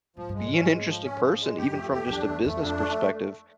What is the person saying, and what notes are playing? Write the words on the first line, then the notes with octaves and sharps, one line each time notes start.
be an interesting person even from just a business perspective,
G#2 F3
G2 G#3
G#2
C#4
G#3
F3
C#4
F3
G#3
F#2 G4
F2 A3
E2 G4
F2 D4
E2 A3
E2 A3
F2 D4
A3